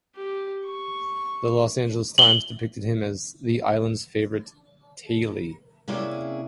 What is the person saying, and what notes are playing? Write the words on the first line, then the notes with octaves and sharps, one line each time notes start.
"The Los Angeles Times" depicted him as "the island's favorite 'tailie'".
G4
C#6
F#7 G7
C3 A#3 C#4 E4 G#4 D5